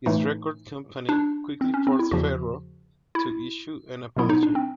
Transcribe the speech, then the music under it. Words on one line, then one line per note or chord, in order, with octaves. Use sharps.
His record company quickly forced Ferro to issue an apology.
A2 E3 A3 D#4
D4
C4
C#4
C4
E4
E2 C#3 F3 F#4
E4
B2 F#3 B3 E4
D#4
D4
C4